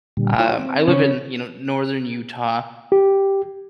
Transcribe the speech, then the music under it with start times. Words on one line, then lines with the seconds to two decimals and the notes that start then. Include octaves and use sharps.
um, I live in, you know, northern Utah,
0.17 A#2 D3 G3
0.40 E4 F4 C#5
0.58 C4
0.88 C#3 C#4
2.92 G4